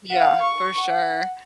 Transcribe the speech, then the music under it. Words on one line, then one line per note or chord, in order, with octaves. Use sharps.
Yeah, for sure.
F5 F#5
C#6
F#5